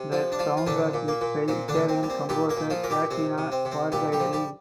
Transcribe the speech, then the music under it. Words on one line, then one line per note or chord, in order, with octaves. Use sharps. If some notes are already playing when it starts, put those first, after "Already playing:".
The soundtrack is by Italian composer Caterina Barbieri.
Already playing: C3
F3 F4
D4
F3 F4
F4
A#2 D3 D4
A#2
A#3
A#2
A#2 C4
D3 D4
A#2
C4
G3
C4
A#2 G3 G4
A#3 A#4
A#2
F3 F4
A#2 A#4
G3 G4
C3 C4
C3
C4
C3
C4
A#2 G3 G4
G3 G4
F3
G3 G4